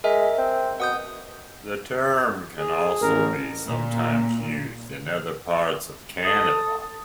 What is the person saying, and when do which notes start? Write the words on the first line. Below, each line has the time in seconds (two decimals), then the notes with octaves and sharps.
The term can also be sometimes used in other parts of Canada.
0.04 G#3 A#4 E5
0.38 C4
0.80 B2 F#5 D#6 G6
2.58 G#4
3.01 A1 A#4
3.67 A#2
6.23 A4 D#6